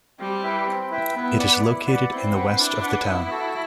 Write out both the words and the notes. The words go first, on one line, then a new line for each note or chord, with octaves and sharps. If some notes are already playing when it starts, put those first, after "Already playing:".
It is located in the west of the town.
G3 C4
E4 B4 E5 G5
C4
E4 B4 E5 G5
B3 E4
B4 D5 F#5
E4
B4 D5 F#5
C4 E4
B4 F#5
D4 E4
B4 F#5
B3 E4
F#4 A4